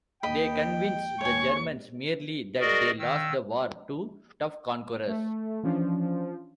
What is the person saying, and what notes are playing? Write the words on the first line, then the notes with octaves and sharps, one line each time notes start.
'They convinced the Germans merely that they lost the war to tough conquerors.
D#2 D#5 G5 B5
D#2 C#5 G#5 C#6
F#4 G#4 A#4 D5 D#5
D#3 E6
A3
E3 F3 C#4 D4